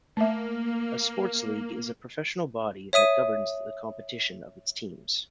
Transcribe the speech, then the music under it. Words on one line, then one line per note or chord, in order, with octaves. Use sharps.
A sports league is a professional body that governs the competition of its teams.
A3 A#3 E5
C#5 E5 D#6 D#7